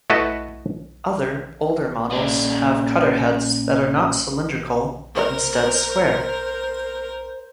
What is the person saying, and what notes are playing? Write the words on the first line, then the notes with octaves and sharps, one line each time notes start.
Other, older, models have cutter heads that are not cylindrical but instead square.
A3 E4 F#4 B4 D#5 A5
A#2 C#4 G4 G#4 D5 D#5
A#4 C5